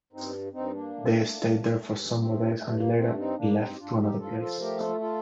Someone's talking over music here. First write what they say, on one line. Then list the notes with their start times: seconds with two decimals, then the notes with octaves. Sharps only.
They stayed there for some more days and later left to another place.
0.13 G2 C4 D#4
0.53 G2 C4 D#4
0.73 A#3 D4
0.93 A3
1.34 G2
1.76 G2
2.08 A#3
2.15 G2 A3 C4
2.57 G2 A3
2.77 A#3
2.97 G2 A3 C4
3.17 C4 D#4
3.37 G2 A#3 D4
3.57 C4 D#4
3.74 G4
3.78 G2 D4 F4
3.99 D#4 G4
4.19 F3 F4 A4
4.39 F4 A4
4.59 A3 G4 A#4
4.79 F4 A4
5.00 F4 A4